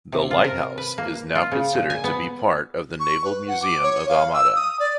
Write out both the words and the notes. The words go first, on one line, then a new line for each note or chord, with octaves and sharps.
The lighthouse is now considered to be part of the Naval Museum of Almada.
C3
F4
A#4
B4
A#3
F4
C#3
A#2
G#5
B3
C#6
B4
F#5
D6
C#5
F5
E6
D#6
D5